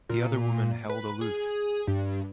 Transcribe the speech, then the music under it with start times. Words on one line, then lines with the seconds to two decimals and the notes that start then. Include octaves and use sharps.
The other woman held aloof.
0.09 A#2
0.90 B4
1.21 G#4
1.87 G2